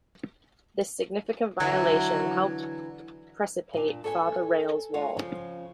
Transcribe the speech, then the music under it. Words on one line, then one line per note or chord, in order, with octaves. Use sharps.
This significant violation helped precipate Father Rale's War.
D3 E3 F#3 E4
A#2 D4
A4 B4 C#5 G5 G#5
G#3 F4 C#5 F#5
C#3 F3